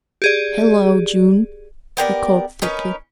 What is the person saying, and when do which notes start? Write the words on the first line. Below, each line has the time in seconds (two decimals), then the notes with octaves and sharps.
"Hello, June!" he called thickly.
0.22 G4 G#4 D5
1.97 B3 G4 A#4 D5
2.62 C#4 D#4 A#4 B4